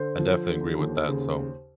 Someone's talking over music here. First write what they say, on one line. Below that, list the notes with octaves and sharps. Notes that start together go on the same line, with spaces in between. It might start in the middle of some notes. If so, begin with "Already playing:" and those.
I definitely agree with that. So
Already playing: D3 C5
F3
D3
D#2
C#3